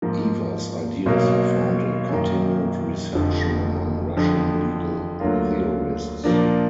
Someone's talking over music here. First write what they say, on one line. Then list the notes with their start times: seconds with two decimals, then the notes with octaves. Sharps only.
Evers' ideas have found a continued reception among Russian legal theorists.
0.02 G#2 F3 A#3
1.06 B1 B2 A#3
2.09 F#2 D#3 A#3
3.13 F1 F2 D3 F3
4.17 F2 D3 F3
5.20 D2 D3 F#3 A#3 F4
6.24 A#2 F3 A#3 D4